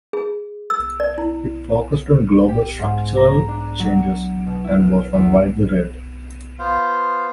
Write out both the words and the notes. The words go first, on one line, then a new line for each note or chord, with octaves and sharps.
It focused on global structural changes and was not widely read.
G#4
E6
D5
E4
G4
G#2
A#5
D4
F#3
C#7
B2
E4
F6
E2
B3 F4 C5 F5